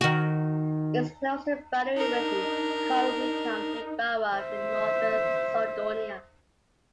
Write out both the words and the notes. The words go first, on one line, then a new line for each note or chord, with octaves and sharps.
It is close to the boundary with Conwy county borough in northern Snowdonia.
D#3 F#4
D4 D#4 A#4
C5 E5